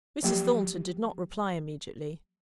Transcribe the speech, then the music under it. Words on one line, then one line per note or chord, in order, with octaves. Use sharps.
Mrs. Thornton did not reply immediately.
F3 F#3 A#3 G4